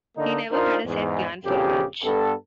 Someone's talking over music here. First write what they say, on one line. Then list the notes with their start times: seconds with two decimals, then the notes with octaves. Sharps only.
He never had a set plan for a match.
0.17 D3 A#3 D#4
0.52 D4 D#4 F4 A#4 C5
0.85 E2 G#2
1.45 A#1 F2 C#3 G4
2.05 G2 B3 A4